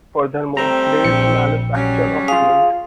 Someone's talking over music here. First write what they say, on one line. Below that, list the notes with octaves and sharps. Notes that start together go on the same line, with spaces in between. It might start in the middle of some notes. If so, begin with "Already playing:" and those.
Furthermore, there is a manufacture of cement.
G3 A3 C4 A#5
A#1 C#7
F#3 G3 C#4
F4 G#4 F5